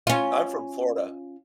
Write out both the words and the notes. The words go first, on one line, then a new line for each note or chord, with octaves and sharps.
I'm from Florida.
C#4 F4